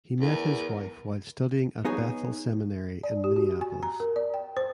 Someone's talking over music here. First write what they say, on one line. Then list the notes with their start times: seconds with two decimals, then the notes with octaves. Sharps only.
He met his wife while studying at Bethel Seminary in Minneapolis.
0.20 E2 A#4
1.85 B3 D#4 G#4 C#5
3.03 D5
3.24 G4
3.36 F#4
3.61 G#5
3.83 A#5
4.00 A#4
4.16 D5
4.34 G5
4.57 C5